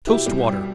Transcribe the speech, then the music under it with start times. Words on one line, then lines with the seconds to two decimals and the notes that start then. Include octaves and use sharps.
Toast Water.
0.07 B2 E4 G4
0.26 C2
0.47 G3